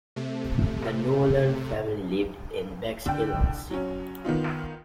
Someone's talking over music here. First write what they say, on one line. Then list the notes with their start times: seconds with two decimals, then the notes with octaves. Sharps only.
The Nolan family lived in Bexhill-on-Sea.
0.16 C3 A3
3.06 D3 G5
3.70 F#3 C#4
4.25 D#3 B3 D#4 F4